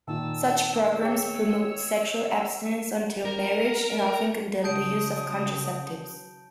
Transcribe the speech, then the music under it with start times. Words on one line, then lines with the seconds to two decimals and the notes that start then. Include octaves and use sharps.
Such programs promote sexual abstinence until marriage and often condemn the use of contraceptives.
0.07 A#2 D#3 A5 E6
1.03 G#4 C#5 G5
3.25 A#4
4.64 C#3 F#3 A5 D#6 G6 D7